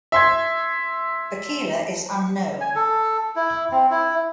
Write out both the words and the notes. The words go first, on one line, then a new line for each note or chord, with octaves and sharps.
Bachiler is unknown.
E5 C6 G#6
G#5
A4
E4
C4
E4